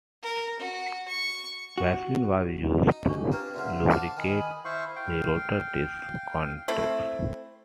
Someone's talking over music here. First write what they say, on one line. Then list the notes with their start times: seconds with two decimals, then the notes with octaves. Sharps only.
Vaseline was used to lubricate the rotor disc contacts.
0.23 A#4
0.59 F#4
1.08 C#6
1.78 F#4
2.91 D#4
3.09 D4 G4 C#6
3.32 C4 D4 F4 B4 A#5
3.54 A#2 C#3 F#3 C5 E5 C6
3.91 F#4 A4 F5 A5 D6
4.17 D#3 D#4 G5 G#5 B5 D#6
4.65 E4 C5 F5 C#6
4.96 F5 G5
6.68 A3 C4 E4